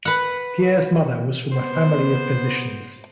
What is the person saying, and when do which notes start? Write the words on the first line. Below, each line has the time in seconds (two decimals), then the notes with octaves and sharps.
Pierre's mother was from a family of physicians.
0.05 B4 F#5
1.52 B3 C5